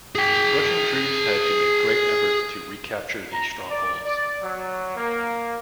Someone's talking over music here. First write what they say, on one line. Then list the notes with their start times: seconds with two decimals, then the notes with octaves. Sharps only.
Russian troops had to make great efforts to recapture these strongholds.
0.15 G#4 G5
3.33 A#5
3.69 D5
4.04 D5
4.43 F#3
4.96 A#3